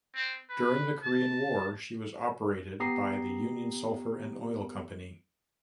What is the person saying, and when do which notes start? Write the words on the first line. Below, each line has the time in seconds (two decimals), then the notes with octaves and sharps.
During the Korean War she was operated by the Union Sulphur and Oil Company.
0.15 C4
0.49 B4
1.02 A5
2.80 B3 G4 A#5 D#6 C7